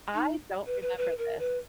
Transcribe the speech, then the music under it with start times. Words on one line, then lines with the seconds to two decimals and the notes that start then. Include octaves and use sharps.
I don't remember this
0.15 D#4
0.66 B4
0.82 B4
0.97 B4
1.18 A#4
1.39 B4